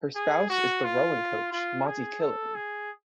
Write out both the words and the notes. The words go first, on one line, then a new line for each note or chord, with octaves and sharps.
Her spouse is the rowing coach Matti Killing.
G#4
F#4
F4
F4
G#4
A4
G#4